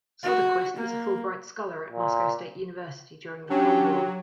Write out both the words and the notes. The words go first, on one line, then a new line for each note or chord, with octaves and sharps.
Soderquist was a Fulbright Scholar at Moscow State University during the Cold War.
F#4
A#3
A#2
F#3 C#4 D4 G4